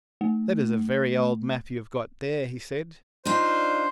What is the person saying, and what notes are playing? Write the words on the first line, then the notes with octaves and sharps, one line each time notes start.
"That is a very old map you have got there," he said.
A3
D4 D#4 F4 C5